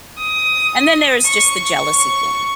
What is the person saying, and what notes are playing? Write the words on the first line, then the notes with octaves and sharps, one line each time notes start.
and then there is just the jealousy thing.
D#6
C#6